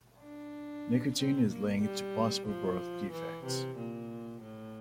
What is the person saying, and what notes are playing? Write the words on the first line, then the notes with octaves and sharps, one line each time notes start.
Nicotine is linked to possible birth defects.
D4
C4
A#3
G3
F3
E3
C3
A#2
A2